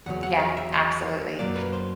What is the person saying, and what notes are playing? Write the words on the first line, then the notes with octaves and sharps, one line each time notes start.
Yeah, absolutely.
E2 C#3 F#3 F#5
F#5
F5
E5
D#5
F#2 D3 F#3 A#3 D5
B4
C5